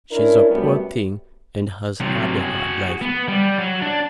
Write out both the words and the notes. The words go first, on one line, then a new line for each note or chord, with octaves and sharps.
She's a poor thing and has had a hard life.
C#4 D4 E4 A#4
F#2 C3 G3 A3 B3 F#4
C3 F#3
F#4 G#4
B3
G3
F#3
D4